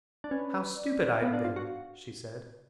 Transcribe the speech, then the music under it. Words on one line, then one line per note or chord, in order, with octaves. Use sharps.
"How stupid I have been," she said.
D4
C#4 B4
D5
B3 F5
D4
F4
F#4